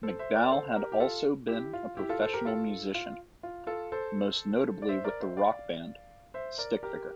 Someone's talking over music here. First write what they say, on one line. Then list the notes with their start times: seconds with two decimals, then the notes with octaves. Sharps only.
McDowell has also been a professional musician, most notably with the rock band, Stickfigure.
0.03 A4 C5
0.19 C5 E5
0.35 A#4 D5
0.51 A4 C5
0.76 G4 A#4
0.92 G4
1.00 F4 A4
1.48 E4 G4
1.73 F4
1.97 E4 G4
2.09 F4 A4
2.22 A4 C5
2.33 G4 A#4
2.45 F4 A4
2.95 F4
3.43 F4
3.67 F4 A4
3.92 A4 C5
4.82 D5
4.89 C5 E5
5.04 A#4 D5
5.21 C5 E5
5.37 D5 F5
6.34 C5 E5
6.58 A#4 D5
6.83 G4 A#4